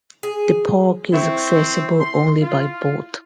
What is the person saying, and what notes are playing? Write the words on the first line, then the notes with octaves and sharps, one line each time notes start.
The park is accessible only by boat.
G#4
C4 E4 E5 C#6
C6
F4